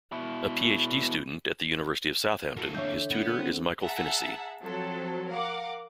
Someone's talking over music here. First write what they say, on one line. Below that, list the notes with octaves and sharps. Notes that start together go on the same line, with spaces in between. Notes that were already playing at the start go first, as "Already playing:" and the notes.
A Phd student at the University of Southampton, his tutor is Michael Finnissy.
B2 E4
A3 A#3 E4 F#4 A4
D3 E3 A3 C#5 E5 G6
B3
C4
G#4 E5 F#5 A5 A#5
F3 F#3 C4 A4
A#4 F5 F#5 D6